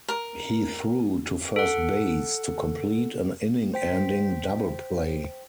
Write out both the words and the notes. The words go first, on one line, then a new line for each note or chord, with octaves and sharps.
He threw to first base to complete an inning-ending double play.
A#4
A4 F#5
C5 G5 B6